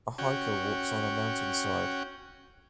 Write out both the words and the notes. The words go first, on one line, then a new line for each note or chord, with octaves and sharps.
A hiker walks on a mountainside.
C#4 F#4 G5